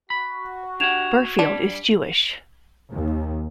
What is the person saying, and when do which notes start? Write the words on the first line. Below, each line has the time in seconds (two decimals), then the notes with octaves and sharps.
Berfield is Jewish.
0.10 F#4 B5
0.80 D4 G4 F#5 G#6 E7 F7
1.39 G3 D4
2.93 D#2